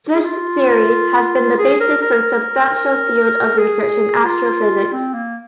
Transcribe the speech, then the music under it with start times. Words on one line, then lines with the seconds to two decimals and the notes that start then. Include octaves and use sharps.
This theory has been the basis for a substantial field of research in astrophysics.
0.15 G#4
0.25 F4
1.58 G#4
1.80 A#4
2.02 A#4
3.58 G#4
4.24 F4
4.92 C4
5.14 A#3